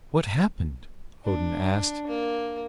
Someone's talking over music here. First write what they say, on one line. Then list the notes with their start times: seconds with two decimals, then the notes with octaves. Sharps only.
"What happened?" Odin asked.
1.25 D4
2.07 A#3